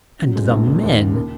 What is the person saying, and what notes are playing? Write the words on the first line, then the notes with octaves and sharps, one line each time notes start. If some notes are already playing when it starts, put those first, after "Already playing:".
And the men!
C#3
F#3
F1 G#3
A#1
A#2
D#2
C#3
A#3